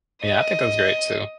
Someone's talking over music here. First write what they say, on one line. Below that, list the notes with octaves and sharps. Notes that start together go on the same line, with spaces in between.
Yeah, I think that's great too,
D#5